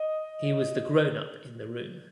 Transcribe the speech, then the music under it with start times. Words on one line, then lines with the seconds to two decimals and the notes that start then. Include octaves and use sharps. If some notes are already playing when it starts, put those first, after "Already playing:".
He was the grownup in the room.
Already playing: D#5